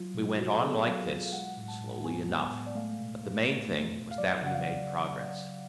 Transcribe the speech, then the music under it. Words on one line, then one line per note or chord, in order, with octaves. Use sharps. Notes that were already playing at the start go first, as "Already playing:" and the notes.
We went on like this, slowly enough, but the main thing was that we made progress.
Already playing: F#3 F4
B2
B2 F#4
A4
B3 G#4
F#3 F5
B2 F5
F5
G#3 F#5
A2
A5
A2
B3 G#5
G#3
G#5
A2
D5
A3 F5
B2
A3
B2
A3
B2
F5
F#3 D5
C#3 F#5
F5